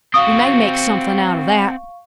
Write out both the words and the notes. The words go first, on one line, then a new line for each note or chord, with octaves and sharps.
We may make something out of that.
C4 F#4 F5 C#6 D#6